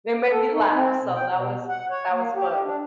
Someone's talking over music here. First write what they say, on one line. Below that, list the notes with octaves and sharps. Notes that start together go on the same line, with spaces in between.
It made me laugh, so that was that was fun.
A4
D#4
C4
B2
G5
B2
F#5
C#5
A#3
G4
D4